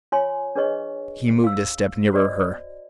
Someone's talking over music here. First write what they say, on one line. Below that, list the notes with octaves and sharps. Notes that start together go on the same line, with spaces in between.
He moved a step nearer her.
F4 C#5 G#5 C6
D4 G#4 B4 C#5 D#5 C#6
F5 E6
F#4 C5 D5 D#5